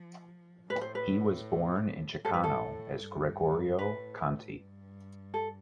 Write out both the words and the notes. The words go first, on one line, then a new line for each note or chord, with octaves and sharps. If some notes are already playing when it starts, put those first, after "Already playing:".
He was born in Ceccano as Gregorio Conti.
Already playing: F3
A2 B4
C5
B4
G2 A4
B4
A4
A2
G2
A2 B4
G2
A4